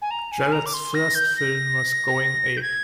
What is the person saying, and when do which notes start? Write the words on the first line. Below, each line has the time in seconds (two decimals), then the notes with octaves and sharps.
Jarret's first film was Going Ape!
0.02 G#5
0.11 A#5
0.31 G#5
0.52 A#5
0.66 D6
0.74 C6
0.94 A#6
1.15 G6
1.37 A#6
2.57 G6
2.62 G#6